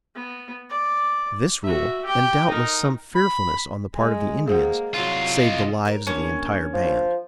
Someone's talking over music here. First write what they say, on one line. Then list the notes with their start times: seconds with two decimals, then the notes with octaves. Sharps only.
This rule, and doubtless some fearfulness on the part of the Indians, saved the lives of the entire band.
0.15 B3
0.69 D5
1.64 F#4 E5
2.05 G4 G5
2.48 D#4 A#4
3.15 B5
3.95 G#3
4.48 A#3 G#4 C5 F#5
4.94 C2 F#3 F4
5.37 D#5
5.85 A#4 C#5
6.07 D3 G3 A#3 C#4
6.73 F3